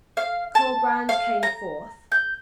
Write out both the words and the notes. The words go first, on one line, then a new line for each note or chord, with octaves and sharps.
Colbrand came forth.
F5
A5
F5
A#5
G6